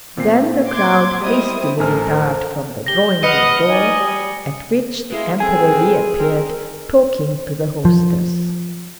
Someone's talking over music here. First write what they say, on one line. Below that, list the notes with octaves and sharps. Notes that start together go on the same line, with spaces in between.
Then the crowd hastily retired from the drawing-room door, at which the Emperor reappeared talking to the hostess.
A#2 C4 C7
C6 D6 G#6
G3 C4 E4 D#5 D#6
A1 A4 A#4 C5 G#5 F6
G4 A#6 G7
B4 D#5 F5 F#5 C#7
D#4 D5 G#5
G3
G#3 A#3 E4
A2 C4 G#4 G#5
C4 A#4
F3